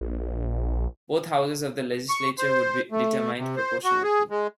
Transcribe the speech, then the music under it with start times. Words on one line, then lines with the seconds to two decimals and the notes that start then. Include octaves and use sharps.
Both houses of the legislature would be determined proportionately.
0.01 A#1
2.09 C#6
2.38 C5
2.92 A3
3.37 C3
3.56 C5
3.84 F#4
4.03 G#4
4.30 G#3